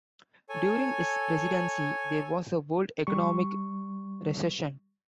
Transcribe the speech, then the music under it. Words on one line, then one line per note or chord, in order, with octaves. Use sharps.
During his presidency, there was a world economic recession.
A4 C#5 G#5
G3 C#6